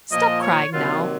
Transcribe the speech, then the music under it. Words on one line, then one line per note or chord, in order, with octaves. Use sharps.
Stop crying, now.
A#2 F3 A#3 D#5
C#5
C3 D#3 F#3 A#3 F4